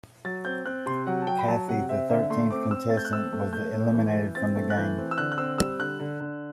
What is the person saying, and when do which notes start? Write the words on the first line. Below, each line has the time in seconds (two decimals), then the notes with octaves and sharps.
Kathy, the thirteenth contestant, was then eliminated from the game.
0.25 F#3 A6
0.45 C4 G6
0.65 C4 F#6
0.86 C3 C6
1.07 F#3 F#5
1.22 A5
1.27 F#3 G5
1.39 B5
1.48 F#3 A5
1.68 C3 F#5
1.89 C4 E5
2.10 D3 E5
2.30 A3 C6
2.51 C4 D6
2.71 C4 E6
2.90 A3 A6
2.97 G6
3.05 F#6
3.12 C4 E6
3.33 A3
3.53 A3 G6
3.74 A3
3.94 E3
4.16 E3
4.35 C4 A6
4.55 A3
4.70 F#6
4.77 E3 G6
4.98 C4
5.11 E6
5.18 D3 F#6
5.32 F#6
5.38 C4 E6
5.58 G3 E6
5.79 D3 F#6
6.00 D3
6.20 D3